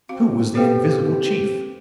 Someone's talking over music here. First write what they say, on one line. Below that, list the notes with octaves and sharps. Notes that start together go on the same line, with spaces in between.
Who was the invisible chief?
C4 F#4 F5
C4 G4 A4 B4 C5 F5 G5